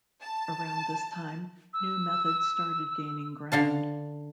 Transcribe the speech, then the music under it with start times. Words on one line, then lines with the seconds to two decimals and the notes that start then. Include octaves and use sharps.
Around this time, new methods started gaining ground.
0.22 A5
1.74 E6
3.52 D3 F5 A5